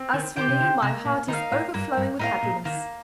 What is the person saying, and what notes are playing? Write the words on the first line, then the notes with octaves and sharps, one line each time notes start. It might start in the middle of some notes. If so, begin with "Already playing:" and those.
"As for me, my heart is overflowing with happiness."
Already playing: C4
D#3
D#3 G4 C5 G5
C3
D3
C3 A#3
A#2
D#3 D#4 A#4 F5
A2
G2 A#3
G2
A2 D#4 A#4 F5
A#2
D#3 A#3